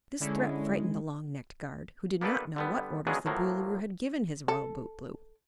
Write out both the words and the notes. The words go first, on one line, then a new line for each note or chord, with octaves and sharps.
This threat frightened the long-necked guard, who did not know what orders the Boolooroo had given his Royal Bootblue.
D3 G#3 C#4 E4
A#3 B3 D4 G4 A4 B4
D3 G3 B3
C#3 F#3 G#3 B3 D4 G#4
A2 F3 F#3 A#3
A4